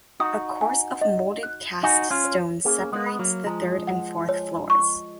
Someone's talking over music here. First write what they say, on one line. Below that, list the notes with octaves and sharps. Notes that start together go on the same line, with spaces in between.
A course of moulded cast stone separates the third and fourth floors.
D#4 F#4 D#6
G#5
D#5
F#6
D#4 F#4 G#5
C#4 F4
C#5
A#3 C#4 G#4
G#3 B3
B5
F#3 A#3
F3 G#3 A#5
F#5
C#5
C#6